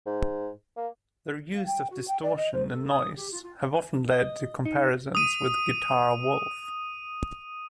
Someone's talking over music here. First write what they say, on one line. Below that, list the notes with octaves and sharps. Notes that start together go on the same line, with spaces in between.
Their use of distortion and noise have often led to comparisons to Guitar Wolf.
G#2
A#3
F5
G5
F#4
G5
D5
D#5
C5
A4
D#6
G4
F4
F4
D#5
D#4
D#6 D#7